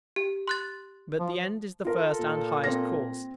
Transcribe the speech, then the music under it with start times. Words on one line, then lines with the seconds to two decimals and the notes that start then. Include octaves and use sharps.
But the end is the first and highest cause.
0.16 G4
0.48 C6 F#6 A6
1.19 F3
1.85 F4 A4 A#4
2.19 A#2
2.64 C4 A#6